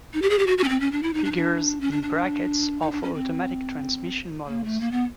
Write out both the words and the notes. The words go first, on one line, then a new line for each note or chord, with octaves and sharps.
Figures in brackets are for automatic transmission models.
D#4
G4
G#4
G4
F#4
F#4
C#4
C4
C#4
D4
E4
D#4
D4
D#4
D4
C#4
D4
D4
D#4
D4
C#4
C4
A#3
A3
A#3
B3